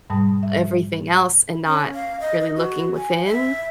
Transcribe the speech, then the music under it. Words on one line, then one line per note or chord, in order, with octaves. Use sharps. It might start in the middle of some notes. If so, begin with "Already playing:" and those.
everything else and not really looking within?
G#2 B2 G3 A5 D#6
E5
C#4
F5
D#5
D#5
F#4
G#5
E5